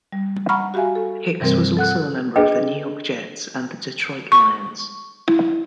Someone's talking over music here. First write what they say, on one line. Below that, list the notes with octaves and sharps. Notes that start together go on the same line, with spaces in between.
Hicks was also a member of the New York Jets and the Detroit Lions.
G3
F#5 A#5 B5 C#6 F6
F#4 G4 E5 F5 G#5
A4
G2 C3 E3 G3 C4 A#4
A4 F#5 F#6
D4 G#4 A4 B4 D#5 G5
C#6
E4